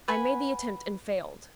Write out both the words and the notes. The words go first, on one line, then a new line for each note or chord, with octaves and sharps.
I made the attempt and failed.
B4 F#5 G#5 B5